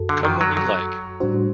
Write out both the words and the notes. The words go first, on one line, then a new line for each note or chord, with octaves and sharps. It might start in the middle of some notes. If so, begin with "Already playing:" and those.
Come when you like.
Already playing: F#2 F#4 A4
D3
D#3
F#3
F#3
A2 G3 D4 F#4 C5